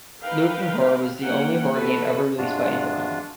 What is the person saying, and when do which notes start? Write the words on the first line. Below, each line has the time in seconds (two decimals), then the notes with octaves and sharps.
"Lurking Horror" was the only horror game ever released by Infocom.
0.21 D#4 A#4 B4 F5 G5
1.19 A#3 C#4 F#5 G5
1.74 D#3 F#4 A4 B4
2.37 G2 C3 G#3 D4 F4 F#4